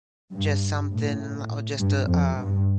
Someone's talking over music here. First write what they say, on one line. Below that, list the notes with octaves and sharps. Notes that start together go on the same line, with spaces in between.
just something or just a um,
G2
A2
G2
F2
G2